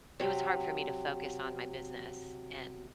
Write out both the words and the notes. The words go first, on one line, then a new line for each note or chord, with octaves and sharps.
it was hard for me to focus on my business, and,
C3 F#3